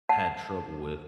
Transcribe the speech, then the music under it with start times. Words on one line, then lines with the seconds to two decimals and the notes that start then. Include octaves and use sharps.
had trouble with,
0.09 F#5 A5